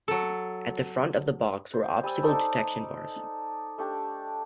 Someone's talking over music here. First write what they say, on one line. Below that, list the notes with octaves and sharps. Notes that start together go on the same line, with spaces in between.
At the front of the box were obstacle detection bars.
F#3 A4
C5
G3 G#5 E6
D#4 A4 D5 B5
A3 D4 G4